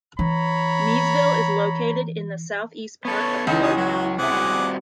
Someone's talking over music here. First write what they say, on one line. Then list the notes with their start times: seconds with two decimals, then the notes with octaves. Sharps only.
Miesville is located in the southeast part of Dakota County.
0.19 E3 C#5 A#5 B5
3.05 B3 C#4 A4 C#5
3.47 C#2 E3 D#4 A4
3.63 F#4 G#4
3.77 F#3 F#4
4.19 C3 G#4 E5 F#5 D6
4.31 G3 C4 F#4